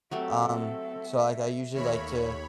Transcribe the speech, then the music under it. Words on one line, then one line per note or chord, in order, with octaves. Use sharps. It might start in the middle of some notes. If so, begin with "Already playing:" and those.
Um, so, like, I usually like to,
F#3 A3 C4 G4 A4 E5
D#2 A3 A#3 C#5 B5